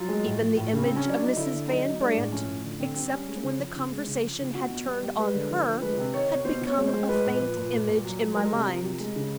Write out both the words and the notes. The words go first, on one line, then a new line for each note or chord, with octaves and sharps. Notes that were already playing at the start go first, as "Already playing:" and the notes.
Even the image of Mrs. Van Brandt--except when the conversation had turned on her--had become a faint image in my mind!
Already playing: F#3 F4
G#3
A2
F3
A2
C#3
C4
C#3
C#4
F#3 D4
F#3 D#4
D3 E4
D3
F#3 D#4
F#3
G#3 D4
A2
F3 C#4
A2
D3
D3 C4
G3 C4
G3 C#4
G#3
C#3
F3
C#3
G#3
C#3
F3
C#3
B2 F#4
B2
G3
G3
G#3 B4
D3
F3
D3
G#3 B4
C3
D#3 C#5
C3
B2 C5
B2
C#5
G#3
C5
G#3
G#3 B4
A#2
F3
A#2
A#2
A#2
F#3
F#3
G#3 A#4
C3
F3
C3
G#3
C#3